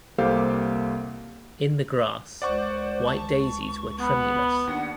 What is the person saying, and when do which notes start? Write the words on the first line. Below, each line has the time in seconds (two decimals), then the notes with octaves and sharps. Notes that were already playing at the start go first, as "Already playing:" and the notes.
In the grass, white daisies were tremulous.
0.18 C2 A#3 G4 A4 C5 F5
2.42 C#2 C5 D5 F#5 C#6
3.08 A5 C#6
4.00 B3 B5
4.67 D#2 D4 F#5